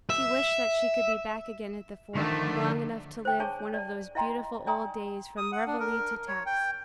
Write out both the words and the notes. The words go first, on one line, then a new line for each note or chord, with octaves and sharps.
She wished that she could be back again at the fort, long enough to live one of those beautiful old days from reveille to taps.
E5
D3 D#3 F3 A3
C5 G5
D4 G#4 C#5 G#5 A5 C#6
D5 A5
E4 D#5 F5 G5 A#5 C6
D5 G5 G#5 A#5 C6 D#6
D#6
F#5
D4
A#4
C#5
G5